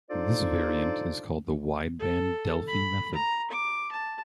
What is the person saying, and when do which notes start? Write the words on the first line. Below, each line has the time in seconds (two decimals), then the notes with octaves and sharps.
This variant is called the Wideband Delphi method.
0.09 D4 D#4 F4 A4 C5 D5
1.99 A4
2.68 B5
3.14 A#5
3.51 D6
3.92 A5